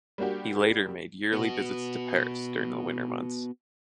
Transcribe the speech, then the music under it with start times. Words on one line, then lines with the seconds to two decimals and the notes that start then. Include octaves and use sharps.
He later made yearly visits to Paris during the winter months.
0.18 G3 A#3 D4 F#4 G4
1.33 B3 F#4